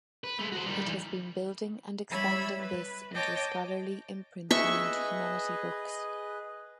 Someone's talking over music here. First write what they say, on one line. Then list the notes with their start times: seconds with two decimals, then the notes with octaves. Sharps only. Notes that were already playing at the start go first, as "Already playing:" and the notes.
It has been building and expanding this into a scholarly imprint named Humanity Books.
0.24 B4
0.39 G#3 A3
0.52 F#4 C5
0.66 D#3 G3
0.81 E3 G3
2.11 G3 E4 C#5 E5 B5 E6
2.59 B4
3.14 C#5 D#5 G5 A5 D6
4.51 G#4 B4 D#5 E5 C#6